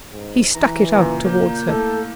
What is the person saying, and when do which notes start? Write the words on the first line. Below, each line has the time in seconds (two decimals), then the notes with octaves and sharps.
He stuck it out toward her.
0.12 G#2
0.55 E3 B4 A#5
0.95 A#2 C#3 A#5
1.24 A#2 A#3 G6
1.68 A3 E4 A4